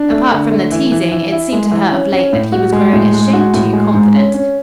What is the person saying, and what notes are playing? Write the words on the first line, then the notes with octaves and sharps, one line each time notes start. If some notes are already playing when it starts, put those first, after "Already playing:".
Apart from the teasing, it seemed to her of late that he was growing a shade too confident.
Already playing: D4
A3
D3
A3
E3
E3
E3
E4
G#3
E3
C#4
C#4
A2
F#4
G#3
A2
G#3
F#4
A2
G#3
G#2
C#4
C#4